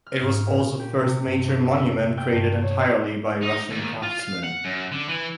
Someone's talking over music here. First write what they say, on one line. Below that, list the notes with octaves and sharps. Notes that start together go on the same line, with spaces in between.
It was also first major monument created entirely by Russian craftsmen.
F6
G#2
A#2
G4
C3
G2
D6
E5
G5
G2
C#5
D#4
D#2
F4
F5
F#5
F#2
D3
E3